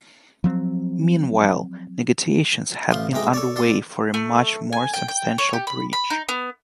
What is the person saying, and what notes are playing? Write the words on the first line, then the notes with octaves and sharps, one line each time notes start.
Meanwhile, negotiations had been underway for a much more substantial bridge.
F3 F#3 C4
A1 F3 C6
B1 C3 G#3 G5 A#5
A4 C#5 D5
D4 A4 C6
A3
G#5
G5
G5
C#5
G4
B5
B5
D#4
B3